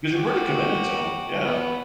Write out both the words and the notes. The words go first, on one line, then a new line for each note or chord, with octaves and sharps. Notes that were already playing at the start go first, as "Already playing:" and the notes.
'Cause you're pretty committed to 'em, yeah.
F#4 G4
B3